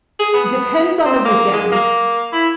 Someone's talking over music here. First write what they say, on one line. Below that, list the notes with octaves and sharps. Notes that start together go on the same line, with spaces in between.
depends on the weekend,
G#4
B3
C4
A#3
G#3
A#3
E4